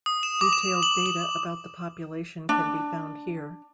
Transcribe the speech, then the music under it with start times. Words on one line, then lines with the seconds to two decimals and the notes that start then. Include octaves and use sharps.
Detailed data about the population can be found here.
0.06 D#6
0.23 E7
0.41 D6
0.53 E7
0.83 F#7
1.06 F#7
2.49 D4